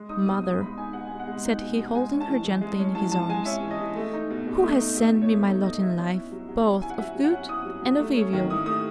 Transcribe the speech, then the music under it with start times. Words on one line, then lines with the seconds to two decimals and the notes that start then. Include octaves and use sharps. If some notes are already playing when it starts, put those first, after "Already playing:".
'Mother!' said he, holding her gently in his arms, 'who has sent me my lot in life, both of good and of evil?'
Already playing: G#3
0.09 D#4 D#6
0.26 B2 D#6
0.44 B2 D#6
0.60 G#3 B5
0.77 D#4 G#5
0.93 B2 F#5
1.07 B2 G#5
1.20 F#5
1.27 G#3
1.44 D#4
1.61 B2
1.78 B2
1.95 G#3 G#5
2.12 C#4
2.20 A5
2.28 E3
2.44 E3
2.61 G#3
2.79 C#4
2.95 E3 A5
3.12 E3 A5
3.29 G#3 G#5
3.45 C#4 E5
3.63 E3
3.71 D#5
3.79 E3
3.96 A3
4.13 D#4
4.30 B2
4.47 B2
4.63 A3
4.80 D#4
4.96 B2 E5
5.14 B2
5.22 C#5
5.31 A3
5.48 D#4 C#5
5.64 B2 D#5
5.81 B2 E5
5.98 C#4
6.14 E4
6.32 F#3
6.49 F#3
6.65 C#4
6.82 E4 G#5
6.90 F#5
6.99 F#3 E5
7.15 F#3
7.24 F#5
7.32 C#4
7.49 E4 D#6
7.65 F#3
7.82 F#3
7.99 A3
8.16 C#4
8.33 D#3
8.49 E4 D#6
8.66 A3 D#6